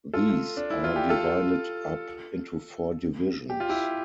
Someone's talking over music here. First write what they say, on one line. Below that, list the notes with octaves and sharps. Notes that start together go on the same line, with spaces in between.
These are divided up into four divisions.
F4 A4
D4
E4
F4
G4
F4 A4
G4
F4
E4 G4